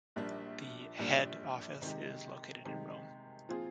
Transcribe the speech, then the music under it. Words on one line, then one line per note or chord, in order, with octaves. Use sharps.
The head office is located in Rome.
A#1 A#2 G3 A#3 D4
A#1 A#2 G3 A#3 D4
C3 D#3 G#3 D#4 G4
C3 D#3 G#3 D#4 G4
A#2 F3 C4 F4 G#4